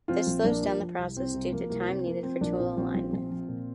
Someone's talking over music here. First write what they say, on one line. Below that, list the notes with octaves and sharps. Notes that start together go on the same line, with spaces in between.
This slows down the process due to time needed for tool alignment.
F3 C4 F4
A#1
A#1 A#3 D4
F3
F3
C2
C2 C4
C2
F3 A#3
C2 A#3
C2 C4
F3 A#3
F3 C4
A#1 A#3 D4
A#2 C4 F4
A#1 C4 F4
A#1
A#1
F3
A#2